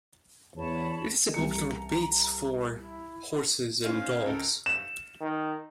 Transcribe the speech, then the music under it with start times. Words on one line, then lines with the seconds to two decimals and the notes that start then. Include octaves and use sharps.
It is a popular beach for horses and dogs.
0.57 E2 C#5 A5 B5
1.34 C2 E3 A#5 C#7
2.78 E4
3.84 C#4 D#4 F4 C5 F5
4.26 C#2 A4 A#4
4.66 E7
5.21 D#3